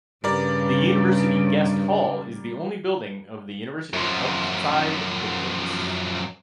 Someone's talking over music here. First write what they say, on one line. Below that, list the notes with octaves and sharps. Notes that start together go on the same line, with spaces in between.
The University Guest Hall is the only building of the university outside the campus.
G2 C#3 G3 A#4 D5
F#2 F3